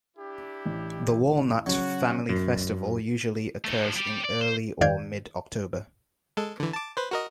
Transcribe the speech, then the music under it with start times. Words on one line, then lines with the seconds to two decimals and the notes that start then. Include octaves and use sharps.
The Walnut Family Festival usually occurs in early or mid-October.
0.17 D4 E4 G4
0.66 A1
1.66 C#3 F#3 F#4
2.29 F#2
3.64 A3 D#4
3.80 G2 F3
3.96 G3 G4
4.24 D5
4.41 C5
4.81 F2 D#3 D5 F5 G6 G#6
6.37 G#3 A4
6.60 D3 E3
6.73 A5 D6
6.97 B4 C5
7.11 F#4 A#4 D#5